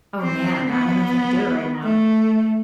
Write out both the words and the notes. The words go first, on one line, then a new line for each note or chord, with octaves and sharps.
Oh, man, I don't know if I could do it right now.
C4
B3
A3